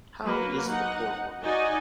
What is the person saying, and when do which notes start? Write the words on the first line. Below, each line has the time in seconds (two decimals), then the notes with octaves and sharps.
How is the poor woman?
0.23 F#3 A#3 B4
0.67 D#4 F#5
1.43 D#4 F#4 D5 D#5 G#5